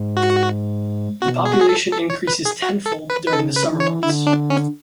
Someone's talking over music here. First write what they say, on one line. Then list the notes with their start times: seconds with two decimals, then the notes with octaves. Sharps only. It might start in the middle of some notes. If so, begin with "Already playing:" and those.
The population increases tenfold during the summer months.
Already playing: G#2
0.17 F#4
1.22 B2 F#4
1.45 G#4
1.53 F#4
1.61 G#4
1.69 A4
1.92 A4
2.10 C#5
2.27 B4
2.45 G#4
2.62 F#4
2.86 A4
3.10 B4
3.26 B4
3.33 C#3 A4
3.56 B4
3.68 E3
3.80 C#5
4.03 D3 E4
4.27 D4
4.50 C#4